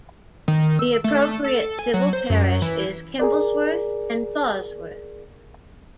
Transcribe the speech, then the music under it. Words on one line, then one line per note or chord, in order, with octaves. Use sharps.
The appropriate civil parish is Kimblesworth and Plawsworth.
D#3
E6
A3
A4
G#5
F#3
C5
F#2
E3
G#4 A#4 D5